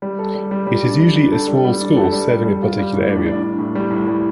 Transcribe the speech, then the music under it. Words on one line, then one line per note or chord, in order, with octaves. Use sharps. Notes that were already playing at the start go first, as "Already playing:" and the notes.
It is usually a small school serving a particular area.
G3
A4
G3
G3
G3
D4
D4
D4
A4
G3
G3
D4
A4
G3
G3
G3
F4
G3
A2
D4
D4
D4
A2
G3
A2
G3